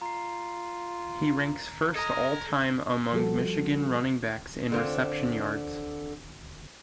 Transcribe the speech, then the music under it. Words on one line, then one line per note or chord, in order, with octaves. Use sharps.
He ranks first all-time among Michigan running backs in reception yards.
F4 A#5 C7
A4 D#5 A#5 G#6 A#6
F3 G3 F#4 A4
D3 C4 F4